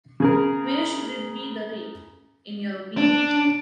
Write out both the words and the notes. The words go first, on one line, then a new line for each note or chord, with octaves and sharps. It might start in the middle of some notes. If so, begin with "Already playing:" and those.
Where should it be the rate, in your opinion?
C#3 G#4 A#4
D4